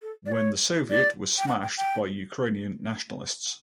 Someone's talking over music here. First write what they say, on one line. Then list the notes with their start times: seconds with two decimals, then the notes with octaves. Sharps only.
When the soviet was smashed by Ukrainian nationalists.
0.02 A4
0.26 D5
0.32 C#5
0.90 D5
1.38 G5
1.48 F#5
1.62 G5
1.78 G5